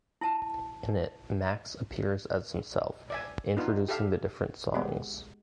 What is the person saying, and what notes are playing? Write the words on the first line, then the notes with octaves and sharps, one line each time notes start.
In it, Max appears as himself, introducing the different songs.
E4 A5
D5 E5 G#5
B3 D4 D#4 F4 B4
G4 A4 E5 F5
G#3 B3 C4 G4